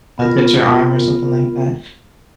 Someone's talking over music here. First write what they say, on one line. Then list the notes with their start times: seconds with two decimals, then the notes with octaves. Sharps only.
touch your arm or something like that,
0.18 B3 F4 A#4